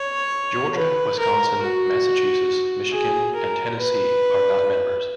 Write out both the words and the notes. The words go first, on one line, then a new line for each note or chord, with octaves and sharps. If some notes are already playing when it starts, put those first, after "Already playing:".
Georgia, Wisconsin, Massachusetts, Michigan, and Tennessee are not members.
Already playing: C#5
B4
A#4
F#4
G#4
A#4
B4